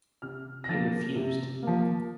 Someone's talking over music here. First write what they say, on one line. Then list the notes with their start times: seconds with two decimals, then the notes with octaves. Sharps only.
He refused.
0.22 C3 F6
0.64 A#6
0.68 F3 A#3 A6
1.16 C3
1.63 F3 A#3